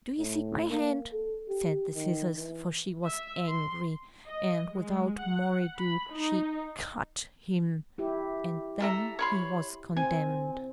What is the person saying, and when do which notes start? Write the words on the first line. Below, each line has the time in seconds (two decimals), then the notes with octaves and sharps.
"Do you seek my hand?" said the scissors; for she was angry; and without more ado, she CUT HIM, and then he was condemned.
0.18 A2
0.69 A#3
1.13 A4
1.49 G4
1.95 D#3
2.36 E3
3.04 E5
3.46 C6
4.27 D#5
4.73 G#3
5.19 F#5
5.77 B5
6.09 D#4
7.98 E4 G4
8.80 A4 E5 A#5
9.19 C#5 B5 C6
9.97 C4 G#5